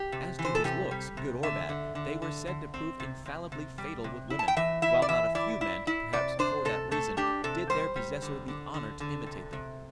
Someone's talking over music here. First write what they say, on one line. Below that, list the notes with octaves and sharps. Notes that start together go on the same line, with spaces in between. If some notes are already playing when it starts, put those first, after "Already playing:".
As to his looks, good or bad, they were said to prove infallibly fatal with women, while not a few men, perhaps for that reason, did their possessor the honour to imitate them.
Already playing: G4
C3
E3
C5
A4
C3 G4
G3
C3
D3 E5
D3
D3
D3
D3
C4
C3
C3
C3
G3
C3
E4
A5
G5
E3 E5
E4 E5
D5
E3 E5
E4 D5
E4
E4
C3 D5
D4 C5
C3 A4
A3 A4
D4 G4
C3 A4
G3 C5
G3
D3
D3
D3
D3
C3
C3